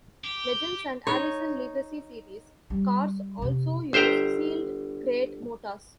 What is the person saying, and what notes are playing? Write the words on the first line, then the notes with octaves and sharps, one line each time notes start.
Legends and Allison Legacy Series cars also use sealed crate motors.
G4
D#4 C#5
G3
F2 C3
G1 C5 E5 G5 A#5